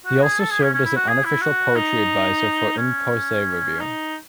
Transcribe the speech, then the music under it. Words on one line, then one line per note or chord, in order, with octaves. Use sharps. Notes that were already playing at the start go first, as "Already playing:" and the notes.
He also served as an unofficial poetry advisor for "In Posse Review".
F#4
G#4
A4
G#4
C#4
C#4
E4
F#4
G#4
E4
F#4
D#4
C#4
D#4